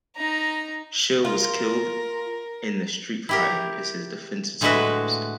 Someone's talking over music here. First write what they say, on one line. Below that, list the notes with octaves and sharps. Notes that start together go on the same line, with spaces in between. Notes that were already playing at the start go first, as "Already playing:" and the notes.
Schill was killed in the street fighting as his defenses collapsed.
D#4 A#5
F4 A#4
E4 G4 A#4
A2 D3 G#3 F#4 B4 E5